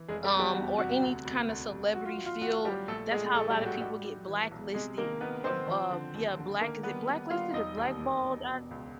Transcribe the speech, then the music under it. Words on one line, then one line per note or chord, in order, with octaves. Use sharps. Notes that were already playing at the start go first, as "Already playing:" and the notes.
um, or any kinda celebrity field, that's how a lotta people get blacklisted, or, uh, yeah, black, is it blacklisted or blackballed, are
Already playing: E3
F1 G#3 G#4
G3 G4
E2
G3 G4
E2 F#4
C3 F#4
D2
D2
D2
D2
F#3 F#4
F4
A1
F4
A1 F#4
F#3 G3 G4
A#1 A3 A4
A#1 G#3 G#4
A#1 A3 A4
G3 G4
A2
F#4
G3 F#4
G3
E3
B1
C3 G#3 G#4
D#3 A#3 A#4
D#3 B3 B4
D#3 C4 C5
F3
D3
D#2
D3
D#3 A#3 A#4
G3 B3 B4
G3
G3 F4 F5
E1 D#4 D#5
D#2
D#2
E1
B2
C#2